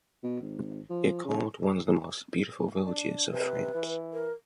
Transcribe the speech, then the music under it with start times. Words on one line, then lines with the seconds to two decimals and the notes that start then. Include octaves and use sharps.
It called one of the "most beautiful villages of France".
0.23 B2
0.41 G#1
0.90 F3
1.25 C#3
2.86 D4
3.32 C3 B4
3.74 E3
4.13 A#4